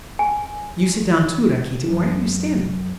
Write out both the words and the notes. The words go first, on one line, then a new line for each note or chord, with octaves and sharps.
You sit down, too, Rakitin; why are you standing?
G#5
F#2